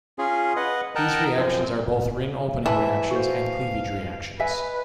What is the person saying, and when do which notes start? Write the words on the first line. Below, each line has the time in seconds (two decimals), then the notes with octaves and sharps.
These reactions are both ring opening reactions and cleavage reactions.
0.19 C#4 F4 G#4
0.56 B4 D#5 F#5
0.95 A#4 D#5 F#5 G5 A5 A#5
1.37 F#2 F3 C4
2.66 E3 E4 E5 A5
3.11 F#4 A4 C5 F5
4.39 B4 D#5 E5 G#5